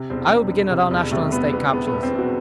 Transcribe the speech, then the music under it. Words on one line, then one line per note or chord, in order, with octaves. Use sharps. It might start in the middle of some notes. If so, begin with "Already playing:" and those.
I will begin at our national and State capitals.
Already playing: C3
E1 C4
E1
E1
C3
E1
C3 A3
E1 B3
E1 B3
E1 B3
B3
E1
C4
E1
F#4